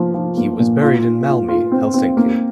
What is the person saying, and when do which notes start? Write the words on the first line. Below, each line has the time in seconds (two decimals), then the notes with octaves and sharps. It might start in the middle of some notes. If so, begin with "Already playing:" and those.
He was buried in Malmi, Helsinki.
Already playing: F3 A#3
0.14 F3
0.37 A#3
0.59 A#2
0.82 F4
1.04 F4
1.27 F4
1.49 F4
1.72 C4
1.94 C4
2.17 A#3